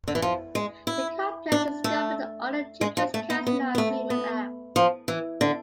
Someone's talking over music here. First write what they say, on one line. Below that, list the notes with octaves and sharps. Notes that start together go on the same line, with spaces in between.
The complex is governed under the "Jupiters Casino Agreement Act".
D3
E3
F3
G#3
E4
D4
A3
G#3
F3
A3
B3
B3
B3
A3
B3
F3
E3
D3